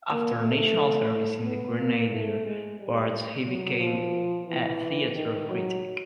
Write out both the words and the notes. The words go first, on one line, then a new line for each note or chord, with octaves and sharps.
After National Service in the Grenadier Guards he became a theatre critic.
A#3
A3
B3
A#3
A3
G#3
G3
F#3
F3
E3
D#3
F#3